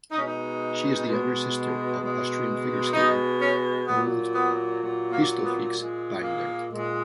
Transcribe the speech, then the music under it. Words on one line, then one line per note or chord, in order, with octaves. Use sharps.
She is the younger sister of Austrian figure skater Helmut Kristofics-Binder.
B2 G#3 D#4
C#4
D#4
B2 G#3
B2
G#3
B2 G#3 D#4
C#4
A#2 F#3 B3
B3
A#2 F#3
A#3
B3
A#2 G#3
A#3
A#2 G#3